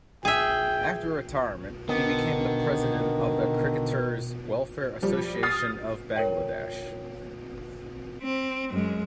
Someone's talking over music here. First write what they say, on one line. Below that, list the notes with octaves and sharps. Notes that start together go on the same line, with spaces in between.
After retirement he became the president of the Cricketers' Welfare Association of Bangladesh.
G#4 E5 G5
B2 D3 D#3 B3
F3 G3
D#6 F6 A6 C7
A#4 C#5 G5
C4
F#2 G#3